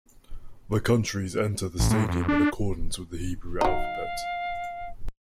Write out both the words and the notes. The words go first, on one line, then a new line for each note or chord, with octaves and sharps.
The countries enter the stadium in accordance with the Hebrew alphabet.
A1
A2
F2
D4
F#3 D#4 F5